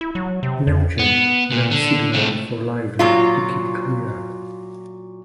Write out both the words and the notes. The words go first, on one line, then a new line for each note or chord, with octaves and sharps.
"Neptune" then signalled for "Lively" to keep clear.
E4
F#3
C3
F2
B3
A#2
D3
C3 A3
A#2 F#3 F4